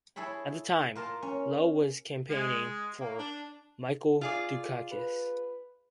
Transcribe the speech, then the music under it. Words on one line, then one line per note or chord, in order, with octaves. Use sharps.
At the time, Lowe was campaigning for Michael Dukakis.
E4 G#4 A4 C#5 B5
A#3 F4 A#4 A5
C#4
G#3
A#3
D4
F4 G#4 D5
B4